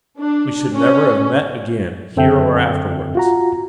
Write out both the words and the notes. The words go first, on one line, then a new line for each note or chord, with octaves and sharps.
We should never have met again here or afterwards.
D4
C#4
F#2 D3 C4 A4 E5 G5
F4 F#4 A#5